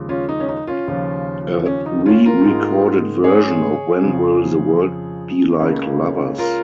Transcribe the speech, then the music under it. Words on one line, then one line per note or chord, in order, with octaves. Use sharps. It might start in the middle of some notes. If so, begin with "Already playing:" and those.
A re-recorded version of When Will the World Be Like Lovers?
Already playing: D#2 C#3 F3 G#3
C#4 F4
D#4
C#4
D#4
C#4 F4
D#2 C#3 F3 C#4
C#4
D#4
C#4 F4
F4 A#4
G#2 D#3 G#3
G#4 C#5
F2 C#3 F3
C#2 C#3 A#3 C#4
F4 A#4